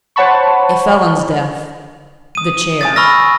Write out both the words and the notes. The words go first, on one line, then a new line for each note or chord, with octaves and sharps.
A felon's death--the chair!
C5 C#5 F#5 A5 B5 C#6
D#6 D#7
G#5 D#6 A6
B5 C#6 E6 F6 A#6